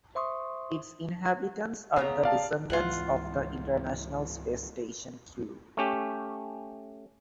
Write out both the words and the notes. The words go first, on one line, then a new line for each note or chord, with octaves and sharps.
Its inhabitants are the descendants of the International Space Station crew.
C5 E5 C6 C#6 D#6
C#3 B3 A#5
D5 F5 A5
C#2 G#2 E3 F4 F#5
A3 C#4 G4